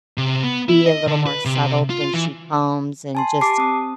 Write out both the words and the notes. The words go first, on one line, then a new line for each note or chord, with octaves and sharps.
be a little more settled when she comes and just
C3
B3
E4
D#5
D3
B4
C3
F4
E3
G#5 A5 C6
G4 A5 D6 C7
C4 D#6